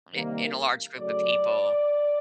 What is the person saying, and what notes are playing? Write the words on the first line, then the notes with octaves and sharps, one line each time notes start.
in in a large group of people
C3 D#3 G3 A#3
C#3 F#3 A3 D5